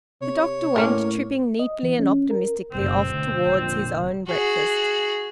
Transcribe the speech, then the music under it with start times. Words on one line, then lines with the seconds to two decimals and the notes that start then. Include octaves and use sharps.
The doctor went, tripping neatly and optimistically, off towards his own breakfast.
0.22 C3 C#5
0.76 A2 A#3 C#4 A#4
1.59 D#5
1.83 E3
1.99 C#4
2.31 A#4
2.72 F#1 B2 C4
3.10 D2
3.48 F1 A#2 D3
4.27 F#4 G#4